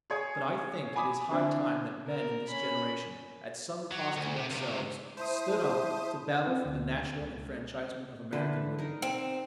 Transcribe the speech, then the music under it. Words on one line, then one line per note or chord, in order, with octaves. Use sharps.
But I think it is high time that men in this generation, at some cost to themselves, stood up to battle for the national enfranchisement of American women.
G#4 C#5 G#5 D#6
G#5 B5 D6 D#6
D3 C4 D4 E4
A#4
C#4 B5
F#3
D2
C3
C#2 C3
E4 C5 E5 A5 D#6
C4
D2
C#2
D3 E3 B4
D#4 A#4
C4